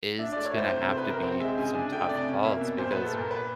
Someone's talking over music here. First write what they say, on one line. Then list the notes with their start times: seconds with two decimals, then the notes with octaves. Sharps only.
is gonna have to be some tough calls because
0.19 D4 E5
0.33 A3 D5
0.45 C#5
0.53 A2 C5
0.71 C3 C5
0.84 C5
0.88 A3
0.97 B4
1.05 C3 A#4
1.22 C4 C5
1.40 G#3 E5
1.58 C#3 G#5
1.74 D4 G#5
1.92 A3 G5
2.09 C3 D5
2.27 C#4
2.44 A#3 E5
2.61 B2
2.78 A#2 C5
2.91 B4
2.96 B3
3.05 A4
3.13 A#2 A#4
3.31 B4